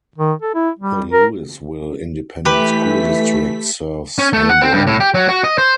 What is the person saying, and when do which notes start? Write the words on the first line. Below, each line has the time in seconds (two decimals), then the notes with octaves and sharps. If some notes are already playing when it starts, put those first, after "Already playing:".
The Lewisville Independent School District serves Hebron.
0.18 D#3
0.42 A4
0.55 E4
0.79 G3
1.12 A#4
2.45 E3 A3 G4 B4 B6
4.18 C#4
4.33 A3
4.49 F#5
4.62 C4
4.73 G2
4.87 A2
5.00 G4
5.14 F#3
5.29 F#4
5.44 D#5
5.58 C5